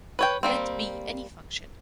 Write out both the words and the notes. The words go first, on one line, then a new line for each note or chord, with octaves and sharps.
Let be any function.
B4 C#5 G5
G3 A#3 C4